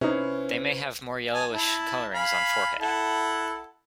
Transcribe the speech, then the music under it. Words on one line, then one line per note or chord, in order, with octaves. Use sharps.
They may have more yellowish colorings on forehead.
C3 C#4 D#4 E4 B4 C5
G#5 A5
E4 A5
F5 G#5 B5
E4 A4 F#5